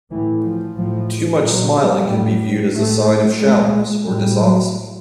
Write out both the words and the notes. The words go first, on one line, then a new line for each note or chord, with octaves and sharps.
Too much smiling can be viewed as a sign of shallowness or dishonesty.
A2 E3
F3
A2 F3
A#2 F#3
G3
A2
A2 A3
A#2 G#3
A2 G3
F#3